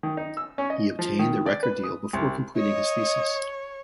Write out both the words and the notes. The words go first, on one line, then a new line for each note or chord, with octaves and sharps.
He obtained a record deal before completing his thesis.
D#3
D#4
E6
C#4
D#5
F3
D#3
D5
B4
D#6
C2
C#5 D#5